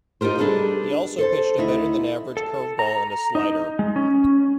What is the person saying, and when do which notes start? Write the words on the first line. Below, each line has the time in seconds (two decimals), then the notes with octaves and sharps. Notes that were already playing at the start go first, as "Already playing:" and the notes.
He also pitched a better-than-average curveball and a slider.
0.21 D#4 F4 G4 A#4 C5
0.38 G3 D4 G#4 A4 B4 D#5
1.18 A4 C5 A5
1.58 D2 D#4 E4 E5
2.37 A4
2.79 A#5
3.35 D#4
3.79 G#3
3.96 C#4